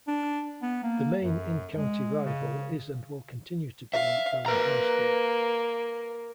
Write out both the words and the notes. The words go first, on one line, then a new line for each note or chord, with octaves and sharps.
The main in-county rival is and will continue to be Belen High School.
D4
B3
A#3
F#2
G#3
C#3
E5 F5
A#3 B4 A#5